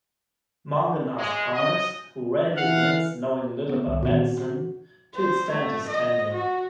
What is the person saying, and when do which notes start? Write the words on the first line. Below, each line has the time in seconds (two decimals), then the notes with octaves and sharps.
Mongan asked "Connors, who readily admits knowing little about medicine" to extend his tenure.
1.17 G#3
1.53 D#5
2.57 E3 F5 F#5
3.69 B3
3.86 C2 D#3
4.03 A#2 D#3 B3 F#4
5.15 C5
5.50 A3
5.88 D#5
6.33 F#4